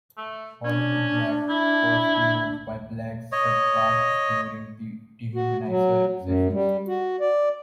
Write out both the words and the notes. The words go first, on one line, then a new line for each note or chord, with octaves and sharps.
"Hollywood Black" was demoed by Black Sabbath during the "Dehumanizer" sessions.
A3
C#4 D4
E4
C#5 D#5
F#4
F#3
F#2
G3
F#4
D5